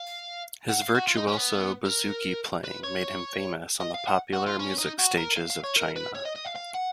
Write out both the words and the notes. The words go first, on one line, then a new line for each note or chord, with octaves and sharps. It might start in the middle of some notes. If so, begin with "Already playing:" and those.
His virtuoso bouzouki-playing made him famous on the popular music stages of Chania.
Already playing: F5
F#5
F5
F#4
F4
D#4
C#4
B3
A#4
B4
C#5
D#5
F5
F#5
F#4
F4
C#4
D#4
F#4
A#4
F5
F5
C#5
A#4
B4
C#5
D#5
D#5
F5
F5
F#5